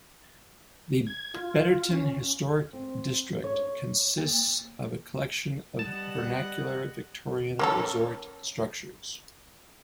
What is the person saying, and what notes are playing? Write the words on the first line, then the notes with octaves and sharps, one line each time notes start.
The Betterton Historic District consists of a collection of vernacular Victorian resort structures.
G#6
F4
C#4
C4
C#5
A#3
G3 B3 D#5 F#5 A5
A#3 C#4 A4